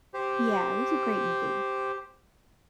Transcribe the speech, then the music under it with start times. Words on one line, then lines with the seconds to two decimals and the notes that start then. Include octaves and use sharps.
Yeah, it was a great movie.
0.14 G4 C5